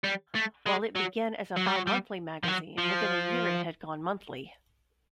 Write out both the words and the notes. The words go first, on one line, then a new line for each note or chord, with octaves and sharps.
While it began as a bimonthly magazine, within a year it had gone monthly.
G3
A3
G#3
F#3
F#3
G3
F#3
G3
F3
F#3
F3